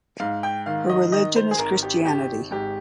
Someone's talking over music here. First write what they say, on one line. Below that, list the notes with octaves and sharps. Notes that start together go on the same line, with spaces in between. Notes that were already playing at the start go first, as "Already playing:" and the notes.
Her religion is Christianity.
G#2 F5
G5
D#3 F5
D#5
D#3 D#5
C5
G#4
G#1 A#4
G4
G#1 G4
G#2 G4